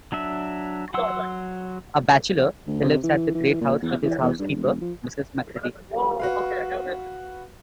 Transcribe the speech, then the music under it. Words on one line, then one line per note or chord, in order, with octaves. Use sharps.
A bachelor, he lives at the great house with his housekeeper, Mrs Macready.
F#3 D4 E5
F#3 F#5 C6 E6
D2
C3
E3
E3
A#2
E2
E3
E2
G2
E1
F3
F#4 B4 F5